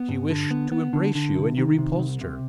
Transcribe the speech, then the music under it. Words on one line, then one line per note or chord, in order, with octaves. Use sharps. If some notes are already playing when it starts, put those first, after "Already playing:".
"She wished to embrace you, and you repulsed her."
Already playing: B3
G2
D3
B3
B3
D3
D3
C2
D#3
C3
C2
C3